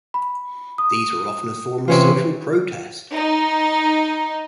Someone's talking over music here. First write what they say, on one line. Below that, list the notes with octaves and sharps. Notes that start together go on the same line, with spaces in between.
These were often a form of social protest.
B5
D#6
C3 E3 C#4 F4
D#4